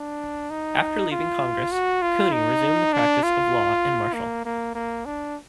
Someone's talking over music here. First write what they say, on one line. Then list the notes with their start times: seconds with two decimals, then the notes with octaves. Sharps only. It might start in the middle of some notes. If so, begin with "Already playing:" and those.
After leaving Congress, Cooney resumed the practice of law in Marshall.
Already playing: D4
0.51 D#4
1.12 F4
1.72 F#4
2.02 F4
2.32 D#4
2.93 D4
3.23 F4
4.14 A#3
4.45 A#3
4.75 A#3
5.06 D4